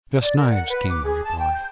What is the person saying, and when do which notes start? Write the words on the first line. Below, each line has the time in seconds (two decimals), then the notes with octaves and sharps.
"Just knives," came the reply.
0.21 D5
0.37 A#4
0.50 F#5
0.70 B4
0.89 D6
1.03 G#4
1.24 A5
1.39 G5
1.54 G6